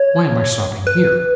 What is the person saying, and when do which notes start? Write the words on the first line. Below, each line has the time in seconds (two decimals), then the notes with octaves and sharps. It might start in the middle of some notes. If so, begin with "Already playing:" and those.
"Why am I stopping here?"
Already playing: C#5
0.87 B4